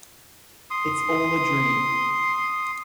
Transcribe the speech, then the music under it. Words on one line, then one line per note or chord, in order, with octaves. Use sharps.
It's All a Dream!
C6 D#6